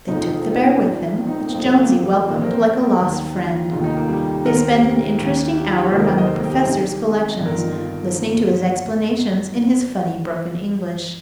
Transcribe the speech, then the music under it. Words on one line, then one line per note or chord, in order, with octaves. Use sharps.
They took the bear with them, which Jonesy welcomed like a lost friend. They spent an interesting hour among the professor's collections, listening to his explanations in his funny broken English.
F1 F2 F3 D#4
F4
D#4
C4
D#4
A#1 A#2 F3
C4
D#4
C4
A#3
G1 F2 F3 C4
A#3
A#3
A#3
G3
G3
A#1 A#2 F3 A#3
C4
A#4
C5
D#2 D#3
F4
F1 D#2 D#3 F4
D#4
A#3
G3
D#2 D#3 A#4
C5
G4
D#2 D#3
G4
F4
G4
F1 D#2 D#3 C5
A#4
C5
D#5
C5
G4
C2 C3 D#3
G1 G2 D#3
A#4
F4
D#4
F4